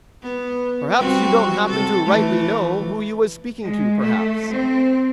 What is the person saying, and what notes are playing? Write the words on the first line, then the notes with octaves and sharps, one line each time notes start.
Perhaps you don't happen to rightly know who you was speaking to, perhaps?
B3
G3 C4 F#4
C3 A4
E3 A3
G#3
A3
C4